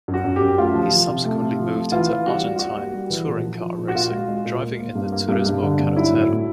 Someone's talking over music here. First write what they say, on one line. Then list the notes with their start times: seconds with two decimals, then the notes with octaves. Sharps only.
He subsequently moved into Argentine touring car racing, driving in the Turismo Carretera.
0.08 F#2
0.14 F#4
0.25 F#2
0.36 G4
0.41 F#2
0.58 A3 F4
0.75 F3
0.91 F3
1.08 C3
1.25 A3
1.41 C3
1.59 F3
1.75 A3
1.92 E3 F4
2.09 E3
2.26 G3 F#4
2.43 G3
2.56 F4
2.59 G3 F#4
2.77 A#3
2.94 G3
3.10 E3
3.27 A#2
3.44 F3
3.61 F3
3.78 A#2
3.88 F#4
3.95 A#2 F4
4.11 G#3
4.28 G#3
4.45 A#2
4.61 A#3
4.79 A#3
4.95 G2
5.12 A#3
5.29 G2
5.46 G2
5.63 D3
5.80 G2
5.96 F#3 E4
6.12 A2
6.30 A2